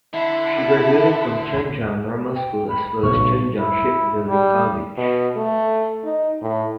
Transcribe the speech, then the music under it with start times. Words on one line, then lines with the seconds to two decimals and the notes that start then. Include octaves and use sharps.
She graduated from Zhenjiang Normal School as well as Zhenjiang Shipbuilding College.
0.13 D3 E4
2.35 G5
2.69 B5
3.03 B1 A#2 C#3 G3 C#6
3.58 E4
4.27 G3
4.97 B2
5.36 A3
6.04 D#4
6.42 A2